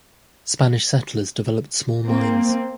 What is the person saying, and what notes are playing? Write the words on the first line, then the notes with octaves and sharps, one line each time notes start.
Spanish settlers developed small mines.
A#3 C4